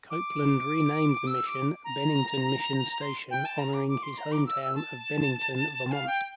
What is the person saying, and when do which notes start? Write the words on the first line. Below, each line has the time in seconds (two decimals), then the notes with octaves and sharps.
Copeland renamed the mission Bennington Mission Station, honoring his home town of Bennington, Vermont.
0.10 D6
1.27 E6
1.46 D6
1.84 A#5
3.01 C6
3.30 G5
3.45 A5
3.59 A#5
3.74 D6
3.89 D6
4.03 C6
4.18 A#5
4.32 D6
4.46 E6
4.61 E6
4.75 A5
5.92 F5
6.07 G5